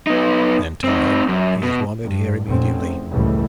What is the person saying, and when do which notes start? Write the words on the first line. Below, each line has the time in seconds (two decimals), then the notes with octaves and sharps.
"Then tell him he is wanted here immediately."
0.07 B3 D#4
0.84 C4 D#4
1.28 F#2
1.63 B2
2.04 G2
2.46 F1 A#2 C4 C#4
2.78 E2
3.10 C#2 F#2 A2 E3 G3 A3